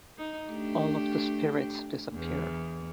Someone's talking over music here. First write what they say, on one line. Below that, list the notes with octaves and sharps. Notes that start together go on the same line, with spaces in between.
All of the spirits disappear.
D#4
A3 D4 G4
E2